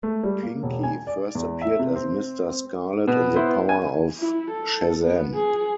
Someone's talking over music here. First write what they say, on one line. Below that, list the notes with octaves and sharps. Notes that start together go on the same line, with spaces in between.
Pinky first appeared as Mr. Scarlet in The Power of Shazam!
A3
G3
A#3
E1
G#5
D5
E2
E5
C3
C4
C4
B2 B3
E4 C5
G#5
E4
A4
B3
G#4